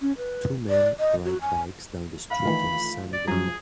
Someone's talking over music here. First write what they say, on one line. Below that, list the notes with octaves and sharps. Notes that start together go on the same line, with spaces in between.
Two men ride bikes down the street on a sunny day.
C#4
B4
D5
D#5
F#4
G#5
F5 B5
D#3 E3 A3 F4
D5
F#2 F3 G#4 A#5